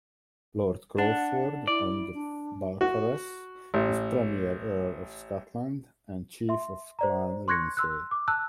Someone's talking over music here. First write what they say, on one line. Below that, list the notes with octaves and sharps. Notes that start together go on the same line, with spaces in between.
Lord Crawford and Balcarres is Premier Earl of Scotland and Chief of Clan Lindsay.
D4 F#5
E4 D5
D4
F#4
A1
E5 C6
C5 D5 A#5
C6 C#6 F#6 G#6 A#6 C#7
C6 E6 F#6
D6
A5 E6 F#6